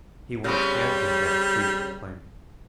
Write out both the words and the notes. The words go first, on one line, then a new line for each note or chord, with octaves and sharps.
He wants hands and neck free for climbing.
C#3 G3 B3 C4